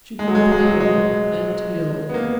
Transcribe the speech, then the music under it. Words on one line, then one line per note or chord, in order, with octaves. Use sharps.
She grew pale and ill.
G#3
F#3
G#3
G#3
F#3
G#3
B3
A#3